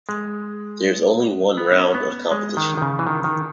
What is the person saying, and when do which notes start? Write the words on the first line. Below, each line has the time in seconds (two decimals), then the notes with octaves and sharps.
There is only one round of competition.
0.09 G#3
1.57 B3
1.71 D#4
1.77 C#4
1.94 B3
2.31 G#3
2.57 D#3
2.77 D#3
2.82 C#3
2.99 E3
3.07 D#3
3.24 D#3